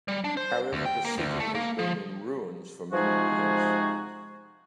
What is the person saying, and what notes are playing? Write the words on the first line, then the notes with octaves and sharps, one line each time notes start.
However, the city has been in ruins for many years.
G3
D4
C5
D2
G5
A#3
D2
A3
A#3
F3
C3 F3 G#3 D#4 F#4 G#4